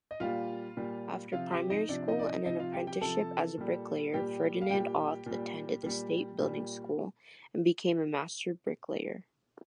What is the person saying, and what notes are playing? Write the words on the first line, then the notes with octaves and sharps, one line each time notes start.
After primary school and an apprenticeship as a bricklayer, Ferdinand Auth attended the state building school and became a master bricklayer.
D#5
A#2 G3 F4 F5
A#2 G3
C3 F3 F4 F5
G4 G5
D#4 D#5
C3 F3 D4 D5
D#4 D#5
D5
D#4 D#5
C3 F3 D#4 D#5
F4 F5
G4 G5
G4 G5
C3 F3 A4 A5
A#2 G3
A#2 G3 G4 G5
F5
A#2 G3 G4 G5
A#2
G3
A#2 G3
A#2 G3